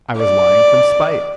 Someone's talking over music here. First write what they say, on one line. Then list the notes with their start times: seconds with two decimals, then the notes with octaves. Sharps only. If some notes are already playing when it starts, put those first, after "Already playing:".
I was lying from spite.
0.17 D5